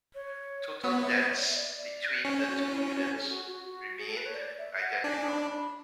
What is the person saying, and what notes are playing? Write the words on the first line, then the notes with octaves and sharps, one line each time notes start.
Total deaths between the two units remained identical.
C#5
B4
B3 C#5
E5
C#5
D5
E5
D5
C#4 C#5
F#4
E4
F#4
A4
G#4
F#4
F#4
F#4
G#4
A4
B4
C#5
D5
E5
E5
F#5
D4 G#5
B5
B5